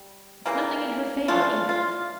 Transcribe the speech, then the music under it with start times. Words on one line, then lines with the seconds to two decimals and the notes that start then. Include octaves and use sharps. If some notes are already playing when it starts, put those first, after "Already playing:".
It's nothing in her favour, either.
Already playing: G3
0.46 C#3 E3 G3 A#3
1.28 C#3 E3 A3 D4 F4
1.69 F4